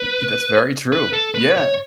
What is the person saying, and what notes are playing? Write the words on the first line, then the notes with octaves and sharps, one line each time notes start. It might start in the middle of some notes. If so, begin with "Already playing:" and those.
Y y that's very true, yeah.
Already playing: B4
B4
A4
B4
C#5